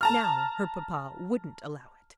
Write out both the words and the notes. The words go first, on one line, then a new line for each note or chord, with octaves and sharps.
Now her papa wouldn't allow it.
A5 A#5 F6